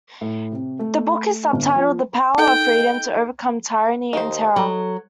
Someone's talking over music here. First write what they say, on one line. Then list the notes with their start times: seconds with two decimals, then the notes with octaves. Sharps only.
The book is sub-titled, The Power of Freedom to Overcome Tyranny and Terror.
0.21 A2
0.52 C3
0.79 A3
1.53 G1
1.76 F3
2.38 D#4 A4 D#5 G5
4.13 D#2 D#4 C5
4.56 F#3 A4